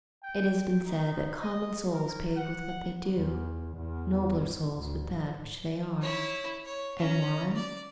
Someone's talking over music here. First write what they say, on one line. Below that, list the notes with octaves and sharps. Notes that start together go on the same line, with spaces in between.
It has been said that "common souls pay with what they do, nobler souls with that which they are." And why?
G5
D#4
D#5
A#4
F#5
E2
E2
G#1
D2
G#2
E4 C#5
C#5
C#4 A#5
D5